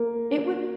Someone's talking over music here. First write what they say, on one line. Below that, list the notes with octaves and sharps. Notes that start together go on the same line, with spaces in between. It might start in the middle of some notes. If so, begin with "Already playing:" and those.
it would
Already playing: A#3